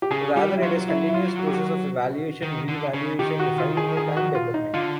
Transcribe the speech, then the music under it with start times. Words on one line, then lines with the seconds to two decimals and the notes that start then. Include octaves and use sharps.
Rather it is a continuous process of evaluation, reevaluation, refinement, and development.
0.02 G4
0.11 C#3 G#4
0.36 G3 G4
0.57 E4
0.62 F#3 F4
0.89 E4
1.09 E4
1.14 F4
1.39 F#4
1.47 G4
1.54 F#4
2.42 D#3
2.68 D3
2.94 C#3
3.19 D#3 G4
3.39 F#4
3.58 F4
3.77 G#4
3.97 G#4
4.17 F#4
4.35 F4
4.54 D#4
4.74 D3 F4